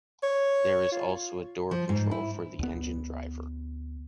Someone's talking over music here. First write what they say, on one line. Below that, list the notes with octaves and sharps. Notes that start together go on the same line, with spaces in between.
There is also a door control for the engine driver.
C#5
F4
F3
G#2
E4
D2 B3